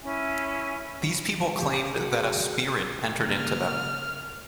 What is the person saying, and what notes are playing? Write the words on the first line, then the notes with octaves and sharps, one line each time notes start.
These people claimed that a spirit entered into them.
C#4 E4 E5 G#5
G4
F#4 G#4
C#3 A#3 F6